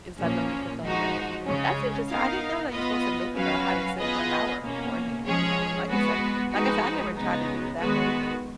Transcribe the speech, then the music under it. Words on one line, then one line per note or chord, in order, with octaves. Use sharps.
It's not gonna be cooked all the way. That's interesting. I didn't know that you're supposed to make it uh, have it sit for an hour beforehand, you know, like I said like I said, I never tried to do it that way, but
A#2 F3 A#3 C#4
F3 G#3 D#4 F#4
C#3 G#3 C#4
B3 D#4 A#4 F5
B3 F4 B4 D#5
F#3 C#4 F#4 B4 F5
B3 F4 G#4 B4 D#5
B2 A#3 C#4
F3 G#3 C#4 G#4 C#5
G#3 B3 F#4 B4
F3 G#3 D#4 F#4 B4
C#3 G#3 B3 D#4
D#3 G#3 B3 F#4 B4